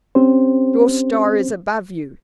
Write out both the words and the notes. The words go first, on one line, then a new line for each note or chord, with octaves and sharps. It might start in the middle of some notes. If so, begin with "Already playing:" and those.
Your star is above you.
C4 C#4 G4 C5